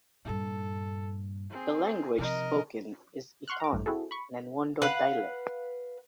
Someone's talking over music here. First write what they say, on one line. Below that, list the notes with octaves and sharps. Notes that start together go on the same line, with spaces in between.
The language spoken is Eton, an Ewondo dialect.
G2 A#2 A4
C4 G#4
C3 F3 A#4 D#5
F#5 C6 C#6 F6 F#6
A#5 D6
A1 G2
C4 E4 F#4 G#4 A4
B5 C#6
B4 F5 F#5